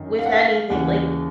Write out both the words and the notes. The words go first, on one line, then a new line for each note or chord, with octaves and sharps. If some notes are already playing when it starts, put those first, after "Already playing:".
with anything like,
Already playing: F#2 D#3
F5
F#5
F5
D#2 C#3 E3 F#5